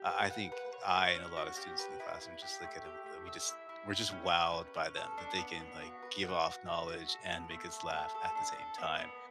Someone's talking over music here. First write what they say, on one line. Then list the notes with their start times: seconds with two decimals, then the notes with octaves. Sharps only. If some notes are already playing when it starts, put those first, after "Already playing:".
I I think, I and a lot of students in the classroom, just look at 'em, uh, we just we're just wowed by them, that they can, like, give off knowledge and make us laugh at the same time.
Already playing: G4
0.10 B4
0.30 F#5
0.52 B4
0.73 C#5
0.94 C#4
1.15 C#4
1.37 F#4
1.57 G4
1.79 B4
2.00 E4
2.21 E4
2.42 G4
2.64 A3
2.85 G4
3.06 A3
3.28 E5
3.48 E4
3.69 E4
3.90 G5
4.12 C#4
4.33 C#4
4.54 B4
4.75 C#4
4.97 A4
5.18 D4
5.38 B3
5.60 B3
5.82 F#4
6.02 B4
6.23 F#5
6.45 F#4
6.66 E5
6.87 F#4
7.08 A4
7.30 B3
7.51 A3
7.72 A4
7.93 A3
8.14 A4
8.35 D4
8.57 A4
8.78 B3
8.99 B3